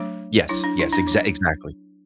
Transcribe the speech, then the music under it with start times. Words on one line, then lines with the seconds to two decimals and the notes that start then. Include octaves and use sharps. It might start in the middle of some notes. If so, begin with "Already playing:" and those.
Yes, yes. Exact exactly.
Already playing: F#3 A3 D4
0.49 F#3 D4 E4
0.64 D4
0.79 E4
0.93 D4
1.07 F#3 D4